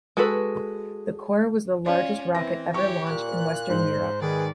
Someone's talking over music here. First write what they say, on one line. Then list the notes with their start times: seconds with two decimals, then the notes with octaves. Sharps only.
The Cora was the largest rocket ever launched in Western Europe.
0.17 G#3 F#4 A4 B4
1.86 C#4 F4 D5
2.35 E3 C4 A#6
2.74 G4 C#5 C#6
3.09 A#2 F#6
3.70 G#2 C5
4.21 D#3 G#4 B4 D5